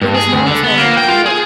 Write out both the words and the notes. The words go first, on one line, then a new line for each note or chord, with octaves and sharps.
It is not as well known in Europe.
G2
G#4
D2
D3
B3
A#3
G5
F4
G#4